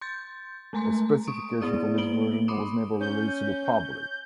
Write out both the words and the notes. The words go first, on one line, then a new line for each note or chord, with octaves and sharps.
A specification for this version was never released to the public.
C6 G6 A6
G#3 A3 G#5 A#5 C6
C#6 D#6 D7
B3 E4 G#4 D5 D#6
A#3 D7 F#7 G7
B5 C6 D6 D#6
C#4 G6